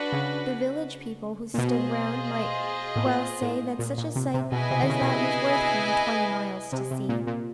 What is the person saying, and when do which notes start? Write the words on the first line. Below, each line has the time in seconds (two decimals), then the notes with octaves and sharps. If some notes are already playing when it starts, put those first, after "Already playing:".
The village people who stood round might well say that such a sight as that was worth coming twenty miles to see.
Already playing: D4 F#4 B4
0.12 C#3
1.54 A#2
1.58 B2 F4 G#4 C5 D#5
2.96 A2
3.06 A#2
3.42 A2
3.79 A#2
3.98 A#2
4.16 C3
4.34 C3
4.52 B2 E4 G#4 B4 D#5 G#5
4.71 C3
4.82 D3
4.89 C#3
5.01 B2
5.07 C3
6.72 C3
6.91 C3
7.09 A#2
7.27 A#2